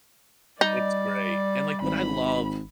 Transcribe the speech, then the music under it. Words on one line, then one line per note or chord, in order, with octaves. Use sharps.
it's great, and, like, what I love,
G3 D#4 D5
G#1 B5